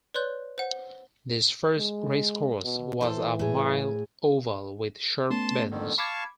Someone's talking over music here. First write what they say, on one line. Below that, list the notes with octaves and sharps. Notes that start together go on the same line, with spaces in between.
This first racecourse was a mile oval with sharp bends.
B4 C#5 D5 C6 F#6 G6
C5 F#5
G#3
B2
E3 A4 C5
A2 G#4
A3 B3 C#4 A5 C6
F2 D3 D#3
F5 A5 B5 C#6 D6 G#6